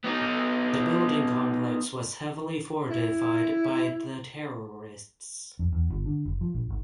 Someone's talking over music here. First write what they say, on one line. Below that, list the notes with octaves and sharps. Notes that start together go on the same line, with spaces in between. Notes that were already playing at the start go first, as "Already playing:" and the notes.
The Building Complex was heavily fortified by the terrorists.
B3 D#4
E4
F2
E2
G1
D3
F#1
F3
A#1
G#1